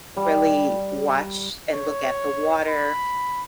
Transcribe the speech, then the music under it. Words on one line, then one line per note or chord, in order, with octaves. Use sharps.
really watch and look at the water
G3
C#5
B5